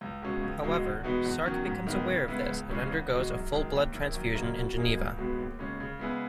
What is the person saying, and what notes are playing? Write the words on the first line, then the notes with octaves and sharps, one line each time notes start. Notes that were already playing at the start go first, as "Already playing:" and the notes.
However, Sark becomes aware of this and undergoes a full blood transfusion in Geneva.
C#2
B2 G#3 C#4
C#2
B2 G#3 D#4
E2
B2 G#3 B3 D#4
E2
D#3 F#3 C#4
G#2
D#3 G#3 B3 D#4
C#3
G#3 B3 E4
C#2
C#3 E3 G#3 C#4
E2
B2 G#3 D#4
F#2
D#3 G#3
D#2
D#3 A#3 E4
F#2
C#3 F#3 A#3 D#4
B2
A#3 D#4 G#4
C#2
B2 G#3 B3
D#2
C#3 G#3 C#4
C#3
G#3 B3 E4 G#4